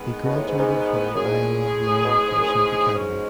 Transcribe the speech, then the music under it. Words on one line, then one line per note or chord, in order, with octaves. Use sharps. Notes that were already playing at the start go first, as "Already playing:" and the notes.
He graduated from the Iowa Law Enforcement Academy.
Already playing: D#3 G#3 B3
B2
A2
G#2
G#2
F#2 A2 G#3 C#4 G#4
G#2
B2
G#2
F#2
G#2
G#2 B2 G#3 C#4